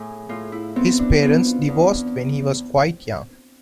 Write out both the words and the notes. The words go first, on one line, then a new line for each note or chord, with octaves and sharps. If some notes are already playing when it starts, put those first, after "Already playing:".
His parents divorced when he was quite young.
Already playing: A2 G#4
A2 F4
E4
B3 C4
D4
B3 F4
E2